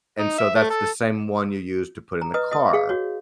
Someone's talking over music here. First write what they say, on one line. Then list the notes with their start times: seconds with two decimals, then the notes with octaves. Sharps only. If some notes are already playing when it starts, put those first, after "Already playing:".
And so, that's the same one you use to put in the car.
0.19 D#4
0.38 E5
0.55 A3
0.70 A4
2.22 A#5
2.34 B4 D#5 D#6
2.51 D#5 D#6
2.73 G#4 F5
2.89 F#4 C#5